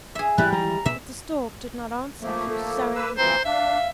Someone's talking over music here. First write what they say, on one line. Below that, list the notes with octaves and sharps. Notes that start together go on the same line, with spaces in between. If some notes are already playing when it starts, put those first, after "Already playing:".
But the Stork did not answer, he was so angry.
G#4 E5
G#2 E3 G3 E4 F#6
D#3 E3 G#3 A#5
A#2 E5
F3 A3 A#3
A4
A#3 B4 E6
E3 F3 C4 C5 A#5
D4 E5 F5